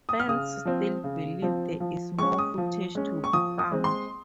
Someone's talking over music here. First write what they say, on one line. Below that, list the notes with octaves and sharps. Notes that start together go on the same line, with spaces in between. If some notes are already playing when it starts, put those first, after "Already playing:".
Fans still believe there is more footage to be found.
D#6
F6
C#3 D#6
F3 C4
C#3
F3 C4
F3
G#3 C#4 C#6
D#6
F3
G#3 C#4
C#6
F3 D#6
D#6
G#3 C4
C6